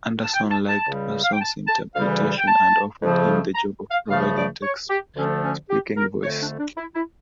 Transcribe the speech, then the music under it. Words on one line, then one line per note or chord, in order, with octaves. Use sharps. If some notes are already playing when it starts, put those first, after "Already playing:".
Anderson liked Parsons' interpretation and offered him the job of providing Tex's speaking voice.
A5
G5
A5
A5
C#2 C#3 G3
F5
G5
A5
A5
D2 C#3 E3 G3 F5
G5
A5
F2 C#3 F3 A3
A#5
F5
C#2 C#3 F3 A3 F5
D5
C#5
G4
D2 D3 F3 A3 C#4
C#4
G4
A#4
F2 D3 A3 C#5
D4
D4
E4
E4